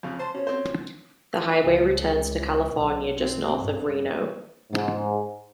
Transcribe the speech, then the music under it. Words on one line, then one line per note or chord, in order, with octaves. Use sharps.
The highway returns to California just north of Reno.
F2 C#3
C5 A5 C6
B2 C#4
C4 C5
C#2
B1
C4
G2
G#2